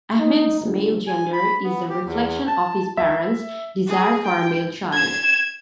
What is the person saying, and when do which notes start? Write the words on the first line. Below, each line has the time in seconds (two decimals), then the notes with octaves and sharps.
Ahmed's male gender is a reflection of his parents' desire for a male child.
0.19 D#4
0.61 G1
1.07 G#5
1.33 B5
1.64 B3
1.89 G4
2.06 E2
2.47 A5
2.97 E5
3.88 G#4
4.25 G5
4.93 G#6 E7